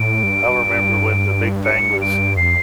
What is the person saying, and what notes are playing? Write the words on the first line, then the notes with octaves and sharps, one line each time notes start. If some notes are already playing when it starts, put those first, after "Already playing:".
I remember when the big thing was
Already playing: A2 D7
G2
G2
C#7
D7
F2 C7